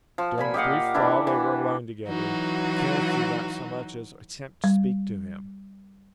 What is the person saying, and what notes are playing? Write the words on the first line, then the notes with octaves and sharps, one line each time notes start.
During the brief while they were alone together, Kenneth did not so much as attempt to speak to him.
F3
A#2 G#5 B5
G4 D#5 F5 F#5
E3 D4 E4
E3
E3 F#3 D#4 F#4
G3